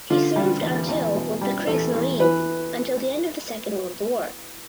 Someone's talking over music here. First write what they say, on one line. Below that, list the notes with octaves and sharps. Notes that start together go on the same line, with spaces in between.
He served until with the Kriegsmarine until the end of the Second World War.
D3 F4
G3
E2
E2
B2
G3
E2 A4
E2
E3 B4